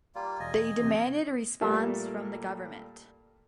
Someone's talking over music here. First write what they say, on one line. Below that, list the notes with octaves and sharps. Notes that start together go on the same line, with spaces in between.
They demanded a response from the government.
G3 A#3 F4
E1 D#5 G#5
E2 C3
A#2 G3 A3 A#3 A4